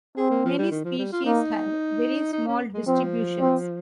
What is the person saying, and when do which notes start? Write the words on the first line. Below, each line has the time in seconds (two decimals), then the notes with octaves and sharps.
Many species have very small distributions.
0.18 C4 G#4
0.30 A#3
0.45 F3
0.58 G3
0.71 D#3
0.85 F3
0.99 G3
1.12 F4
1.25 A#3 D#4
2.33 D#4
2.47 C#4
2.74 G#3
2.87 F3 C4
3.41 C4